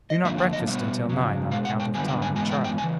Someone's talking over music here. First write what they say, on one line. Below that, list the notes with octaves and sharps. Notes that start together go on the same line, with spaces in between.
We do not breakfast until nine, on account of Tom and Charley.
D#5
F#2 D3 F3 A#3 E5
G5
D#5
B2 G3 B3 E5
F2 C#3 F#3
B2 G#3 F5
F#5
G5
F#2 D3 G3 B3 G#5
G5
G#5
G#2 E3 G#3 B3 G#5
G5
G5
G#5
C#3 E3